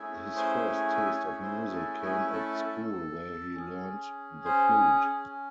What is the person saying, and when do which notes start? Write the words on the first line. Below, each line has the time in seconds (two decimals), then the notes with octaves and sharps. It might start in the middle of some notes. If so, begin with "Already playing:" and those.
His first taste of music came at school where he learned the flute.
Already playing: A3 C#4 E4 G#4
0.36 C5
1.12 C#5
1.42 C5
1.72 A4
2.03 G#4
2.33 A4
2.63 A4
3.54 C#4 G#4
4.45 C5
5.07 G#4